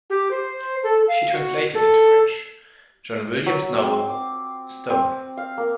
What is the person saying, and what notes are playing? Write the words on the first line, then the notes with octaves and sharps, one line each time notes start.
She has also translated into French John William's novel "Stoner".
G4
C5
A4
F5
F#4
A4
F#3
C4
D6
C4
F5
A#3